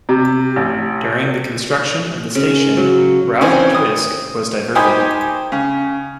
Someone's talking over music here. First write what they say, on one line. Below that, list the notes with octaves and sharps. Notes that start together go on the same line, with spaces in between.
During the construction of the station, Route Twisk was diverted.
C3
A1
C#3
F#3
E3 C4 C#4
D#6
D#4 G4 C5 G#5 B5 D#6
C#3